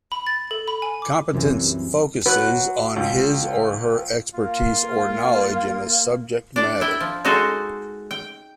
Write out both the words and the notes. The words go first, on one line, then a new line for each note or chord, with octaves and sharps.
Competence focuses on his or her expertise or knowledge in a subject matter.
B5
A6
A4
B5
G#5
D6
C2 F#2 C3 E3
F#3 B4
C#2
A#3 F4
D4 D5
E4 E5 G5
F3
G#3 D#4 F#4 A4 C5
G5